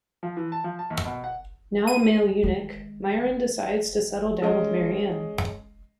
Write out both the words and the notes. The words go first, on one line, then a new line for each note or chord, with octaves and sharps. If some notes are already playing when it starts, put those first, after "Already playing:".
Now a male eunuch, Myron decides to settle down with Mary-Ann.
F3
E3
A5
F3
A5
D#2
B2
F#5
D#7
D#3 G#3
G#3 C#4 D#5